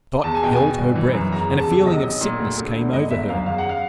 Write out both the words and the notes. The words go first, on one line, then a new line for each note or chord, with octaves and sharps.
Dot held her breath, and a feeling of sickness came over her.
E2 A5
G#5
B2 G5
G#5
B2
G1
E3
F#2
E2 A#5
E2
A5
C3
B1 D#5
B1
A#2
D2
D2
D3
G1 D#5
G1 E5
F#2 F5
E2 F5
F#5
F5